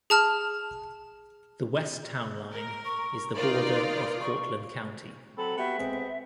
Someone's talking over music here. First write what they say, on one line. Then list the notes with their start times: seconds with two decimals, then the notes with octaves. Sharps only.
The west town line is the border of Cortland County.
0.10 G#4 A5 F6
2.52 A#4
2.85 C#6
3.36 D#4 F4 A#4 D5
4.20 C#6
5.37 F#3 C4 A4 B5
5.58 B3 F#4 G4 E5
5.78 G#3 B3 C4